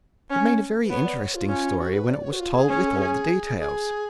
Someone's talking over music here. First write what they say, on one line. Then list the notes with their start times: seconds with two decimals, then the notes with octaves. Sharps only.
It made a very interesting story when it was told with all the details.
0.30 C#4
0.84 B4
0.90 B3 C#5
1.05 D5
1.20 C#5
1.35 F4
1.49 C#4
1.80 F#4
1.94 B4
2.10 D5
2.23 C#5
2.32 F#4
2.39 F4
2.54 G#4
2.69 C#4
2.88 A4
2.98 G#4
3.58 G#4